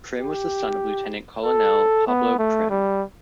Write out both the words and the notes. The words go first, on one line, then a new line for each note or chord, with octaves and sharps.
Prim was the son of lieutenant colonel Pablo Prim.
G4
A4
B3
A3
G3